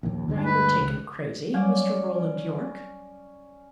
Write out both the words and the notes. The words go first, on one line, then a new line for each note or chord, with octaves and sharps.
"Are you taken crazy, Mr. Roland Yorke?"
A#1 D#2
D2 G2 G#3
B4
C#2
F#3 G3 C#4 D5